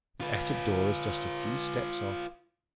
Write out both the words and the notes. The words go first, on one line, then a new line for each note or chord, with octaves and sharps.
The attic door is just a few steps off.
F4 B4